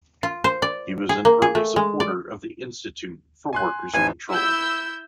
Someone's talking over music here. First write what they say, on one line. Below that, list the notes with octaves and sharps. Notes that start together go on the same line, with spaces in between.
He was an early supporter of the Institute for Workers' Control.
F4
C5
D5
G#4
A#3
G#4
A3
G#3
D5
G#5 C6 F#6
A1 F2 D#3 G#5
E4 E6 G6